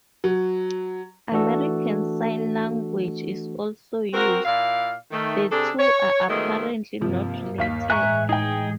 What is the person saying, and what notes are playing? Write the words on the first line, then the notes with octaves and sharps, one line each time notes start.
American Sign Language is also used; the two are apparently not related.
F#3
E3 A3 D4 F#4 A4
C4 F#4 A#4
A#2 E4 D5 F5
D#3 A3
C3 D4 G#4 A4
C#5
B2 D#3 F3 F#3 G#3 A3
G2 C3 F3 A#3
D#2 F5 B6
A2 E3 G#3 E5 G#5 A#5 C#6 F#6
D#4 G#4 G5